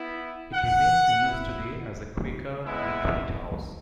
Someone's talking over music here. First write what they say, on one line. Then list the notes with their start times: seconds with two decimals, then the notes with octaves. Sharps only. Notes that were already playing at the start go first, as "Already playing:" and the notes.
It remains in use today as a Quaker retreat house.
Already playing: B3 E4
0.52 F#5
1.23 B3 E4
2.64 G#3 B3 E4